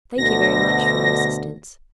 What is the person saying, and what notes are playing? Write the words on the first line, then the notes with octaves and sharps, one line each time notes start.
Thank you, very much, for your assistance.
D2 B2 D3 A#6